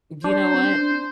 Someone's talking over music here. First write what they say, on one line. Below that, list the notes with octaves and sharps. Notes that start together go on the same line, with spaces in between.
Do you know what?
D4 C5
C4
D4